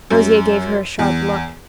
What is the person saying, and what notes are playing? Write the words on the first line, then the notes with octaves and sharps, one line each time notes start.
Rosier gave her a sharp look.
F#2
E2